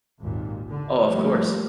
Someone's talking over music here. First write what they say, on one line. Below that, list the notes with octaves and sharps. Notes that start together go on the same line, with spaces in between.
Oh, of course.
G#1 D#2 A#2
D3
F3 G3 A3 A#3